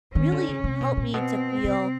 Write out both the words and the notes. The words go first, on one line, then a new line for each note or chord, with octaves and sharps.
really helped me to feel
D#3 C#4
D3
C#3
C3
B2
A#2
B2 C4
C3